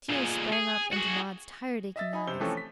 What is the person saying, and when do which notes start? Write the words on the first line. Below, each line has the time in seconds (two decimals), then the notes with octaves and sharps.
Tears sprang up into Nod's tired, aching eyes.
0.09 A#2 G#3
0.52 G#4
0.93 F#4 G#4
1.96 D#5 E5 A6
2.13 D#4 G#5 B5
2.27 C3 C5 G7
2.40 E3 F3 A3 C4 C#4 A4
2.57 B6